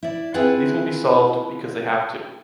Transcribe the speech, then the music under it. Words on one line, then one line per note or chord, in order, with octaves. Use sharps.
These will be solved, because they have to.
E4 D5
C4 E4 F4 G#4 B4 F#5